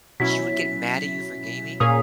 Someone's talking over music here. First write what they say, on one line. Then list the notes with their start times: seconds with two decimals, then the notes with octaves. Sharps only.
She would get mad at you for gaming?
0.20 B2 F#3 C#4 E4 B6
1.80 A#2 A#3 C#4 G#4 D#6